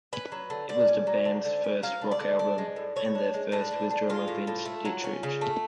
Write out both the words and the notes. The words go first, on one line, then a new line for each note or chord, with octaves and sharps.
It was the band's first rock album, and their first with drummer Vince Ditrich.
C#4 B4
F#3
D3
D3 D5
C#4
F#3
D3
D3
C#4
F#3 F5
D3
D5
D3
D4 D5
G#3
A2
A2 C#5
D4
G#3
A2 D4
A2
D4
G#3 F4
A2
A2
A3
F#3
C#4
C#3
A3